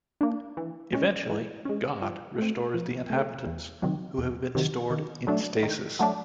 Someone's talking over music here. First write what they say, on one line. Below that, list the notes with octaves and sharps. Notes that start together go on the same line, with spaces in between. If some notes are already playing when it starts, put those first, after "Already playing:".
Eventually "God" restores the inhabitants, who have been stored in stasis.
A#3 D4
E3
G#3 C#4
E3
G#3 C#4
F3
A3 C4
F3
A3 C4
E2
C3 D#3 F#3
E2
C3 D#3 F#3
D#3
F#3 A3 D4
D#3
F#3 A3 D4